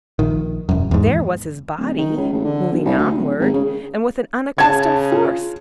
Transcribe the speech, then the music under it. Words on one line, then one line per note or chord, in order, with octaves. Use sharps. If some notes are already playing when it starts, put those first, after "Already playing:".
There was his body, moving onward, and with an unaccustomed force.
A#1 D#3
E1 F#2
E2 G#2
D1
D#3
C#2
A1
D3
B1
C2
D2
D1
G#1
C#3
C#3 A5 G#6
F4